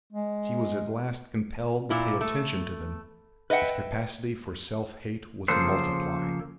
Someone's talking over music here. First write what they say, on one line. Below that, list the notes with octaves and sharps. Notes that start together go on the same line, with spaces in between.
As he was at last compelled to pay attention to them, his capacity for self-hate was multiplied.
G#3
A#2 E4
A3
B4 D#5 E5 F#5 G5
C#3 F3 A#3 A4 C5